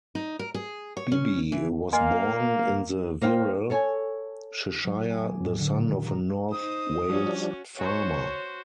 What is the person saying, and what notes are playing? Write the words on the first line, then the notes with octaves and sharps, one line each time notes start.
Bibby was born in the Wirral, Cheshire, the son of a North Wales farmer.
D#4
A#4
G#4
C#5
C#4
E3
A#3 D#5 F5 G#5 C6
A#3 C5 F5 G5
A4 C#5 G#5
F#3
B6
G#5
D6
A2
D3
A#2
D#3
A#5
D#4 C5 D#6
F3 G3 C#4 D4 F#4
F#4 C5 C#5